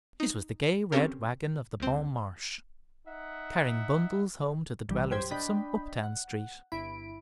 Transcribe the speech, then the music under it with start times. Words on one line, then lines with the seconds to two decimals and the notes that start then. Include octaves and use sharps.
It was the gay red wagon of the Bon Marche, carrying bundles home to the dwellers of some up-town street.
0.20 D#4
0.92 C4 C#4 G4 A4 A#4
1.80 C#2 C4
3.07 D#4 E5 F#5
4.89 A#1 E3 G3
5.11 F#2 G4 C5 G#6
5.31 D4 D#5 G5 B5
6.03 F#5
6.72 G1 E4 B5 D7